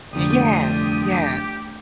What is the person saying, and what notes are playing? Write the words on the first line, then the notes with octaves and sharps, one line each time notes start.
Yes. Yeah.
C2 F2 D3 A3 D4 F4 G4 D#6